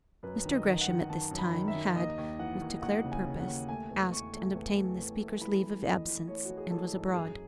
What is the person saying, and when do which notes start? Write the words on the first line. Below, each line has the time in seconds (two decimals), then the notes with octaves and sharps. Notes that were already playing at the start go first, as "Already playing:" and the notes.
Mr. Gresham at this time had, with declared purpose, asked and obtained the Speaker's leave of absence and was abroad.
0.23 F#2 B4
0.45 D#3
0.52 D#5
0.66 D#3
0.81 F#5
0.88 D#3
1.10 D#3 A5
1.31 F#2
1.39 B5
1.53 D#3
1.68 E5
1.75 D#3
1.96 D#2 D#5
2.18 D#2
2.39 E3 F#5
2.61 D#2
2.82 D#2 F#5
3.04 C#3
3.12 G#5
3.25 C#3
3.40 F#5
3.47 D#2
3.69 A3 G#5
3.90 E2
4.12 E2 C#6
4.33 A3
4.55 E2
4.76 A3
4.98 E2
5.20 A3
5.41 E3 B5
5.63 E3
5.84 E3 D#5
6.06 E3
6.27 A3 C#5
6.45 E3 F#4
6.57 G#4
6.70 E3 A4
6.92 G#2
7.14 F#2 G#4